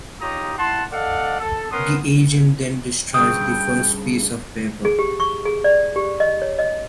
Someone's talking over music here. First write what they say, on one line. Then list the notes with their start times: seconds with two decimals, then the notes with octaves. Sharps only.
The agent then destroys the first piece of paper.
0.21 D#4 F4 G4 C#5 A#5 D#6
0.58 E4 F#5 A5 C6
0.91 A4 D5 D#5 F5 F#5
1.40 A4
1.72 B3 C#4 A#4 F#5 C6 D#6
3.14 G2 C#3 C4 G5 D#6
4.85 G#4
4.99 G4
5.20 C#6
5.45 G#4
5.64 D5
5.96 G4
6.20 D#5
6.42 C#5
6.59 D#5